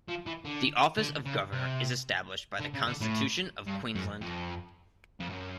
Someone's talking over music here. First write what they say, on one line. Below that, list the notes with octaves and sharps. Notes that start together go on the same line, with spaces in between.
The office of Governor is established by the Constitution of Queensland.
F3
E3
D3
D3
C#3
C3
D3
C#3
D3
A2
G2
F#2
F2
F2
F#2